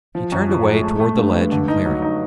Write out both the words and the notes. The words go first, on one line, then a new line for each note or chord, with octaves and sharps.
He turned away toward the ledge and clearing.
F3
F#2
F3
G#3
A3
A3
G2
G2
D3
D#4
F#3
D#4